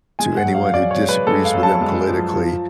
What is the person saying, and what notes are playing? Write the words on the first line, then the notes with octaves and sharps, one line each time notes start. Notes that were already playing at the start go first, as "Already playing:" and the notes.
to anyone who disagrees with them politically,
G#3 G#5
F#5
F#2
F5
F5
F#2 D5
C#5
G#3
B4
G#3 A4
F5
F#2
A5
G#3
F3
F3